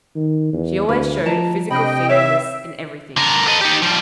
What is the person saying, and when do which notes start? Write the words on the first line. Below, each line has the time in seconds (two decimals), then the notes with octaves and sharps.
She always showed physical feebleness in everything.
0.16 D#3
0.53 E2
0.89 D2 B4
1.26 F3 D#5 A5 A#5
1.71 C3 D4 D#5 G5 B5
2.08 B4 C#5 E5 F5
3.17 D3 A#4
3.47 A4 D#5
3.61 D#4 G4
3.82 F3 G3